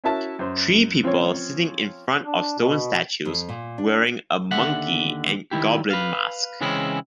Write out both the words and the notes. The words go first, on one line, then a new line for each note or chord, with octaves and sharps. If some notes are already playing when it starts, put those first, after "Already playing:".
Three people sitting in front of stone statues wearing a monkey and goblin mask.
C#4 E4 F#4 A#4 E5 A5
F#2 C5
F3 C4 C#4 C#5
D4
B2
F2
A#2
D4
D#2 D3 E5 F#5
D#3 E4 G4
B4 F5
C#3 E3 G#3 C4 C#4 E4